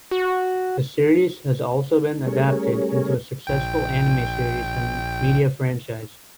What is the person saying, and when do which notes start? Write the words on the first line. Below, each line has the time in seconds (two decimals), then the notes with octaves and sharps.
The series has also been adapted into a successful anime series and media franchise.
0.11 F#4
2.26 G3 A3 C#4 G#4 A#4 C#5
3.47 A#1 G5